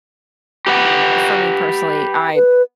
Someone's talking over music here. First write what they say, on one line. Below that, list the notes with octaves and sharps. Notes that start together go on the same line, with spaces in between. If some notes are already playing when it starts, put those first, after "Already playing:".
for me personally, I,
G4 B4 F#5
B4